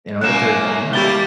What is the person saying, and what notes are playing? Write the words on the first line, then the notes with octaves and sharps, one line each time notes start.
in order to do math.
F#2 F#3 A#3 F#6 E7
G#5
G#3 E5
G3 A#3 E4 G4 A6 G7